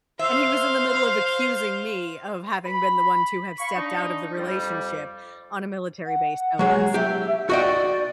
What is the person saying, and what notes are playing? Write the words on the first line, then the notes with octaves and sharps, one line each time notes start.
and he was in the middle of accusing me of having been the one to have stepped out of the relationship, on a military base, no less.
C5 E5 F5
B5
F5 B5 C#6
D4 D#4
F2 G3
F#5
F#3 G#3
G4 E5
F#4 D5 D#5 G5